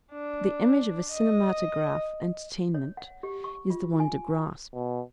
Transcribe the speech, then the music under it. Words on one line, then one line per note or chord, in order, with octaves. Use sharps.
The image of a cinematograph entertainment is the one to grasp.
D4
D#5
C#5
F#5
G4
C#6
F4
G#5
B2